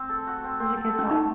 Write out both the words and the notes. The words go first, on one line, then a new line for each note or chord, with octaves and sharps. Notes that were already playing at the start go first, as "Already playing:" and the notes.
It was a good talk.
Already playing: C4
A4
F#4
C4
C4
A4
A4
C#4
A3 D#4